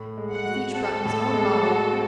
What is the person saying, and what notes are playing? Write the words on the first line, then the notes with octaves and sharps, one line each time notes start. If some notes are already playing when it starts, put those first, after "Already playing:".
But if each brought his own bottle . . .
Already playing: A2
G#3
F#5
F#4
C4 A4
A2
G#3
F#4
C4